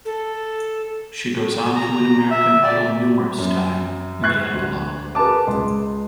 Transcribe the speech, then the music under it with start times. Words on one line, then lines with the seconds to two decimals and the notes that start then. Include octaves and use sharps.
She goes on to win American Idol numerous time in the epilogue.
0.05 A4
1.75 A#5
2.31 E5
2.64 D5
3.39 F#2
4.22 E5 C#6 F#6 G#6 C7
4.54 D2
5.15 G#4 A#4 B4 A5 D6
5.47 C#2 G#3 C6